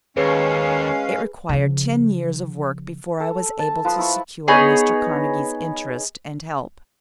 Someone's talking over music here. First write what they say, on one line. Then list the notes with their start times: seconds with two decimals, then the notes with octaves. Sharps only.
It required ten years of work before I was able to secure Mr. Carnegie's interest and help.
0.17 D#2 G#3 C#4 G#4 B4 C#5 F5
1.49 C#3 F3
3.20 A4
3.59 A5
3.85 F3 B4 C6 D#6
3.98 E4 B5 C#6
4.48 B3 D#4 G#4 C#5